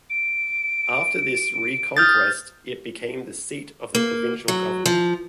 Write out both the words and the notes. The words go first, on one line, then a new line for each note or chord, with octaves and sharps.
After this reconquest it became the seat of the provincial governor.
D7
D#6 F6 G6 A6
A#3
F#3
F3